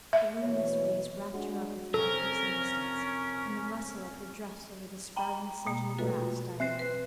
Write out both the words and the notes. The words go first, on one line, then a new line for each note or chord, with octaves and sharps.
The luminous rays wrapped her up with her increasing distance, and the rustle of her dress over the sprouting sedge and grass died away.
E5
B2 E3 C#5
G#3 D4 F#4
F2 C3 C#4 A4 A#4
G5 A#5 B5
B2 A#3
A#2 G#3 A3 F#4 A4 B4
C4 E5 F#6 C7
B4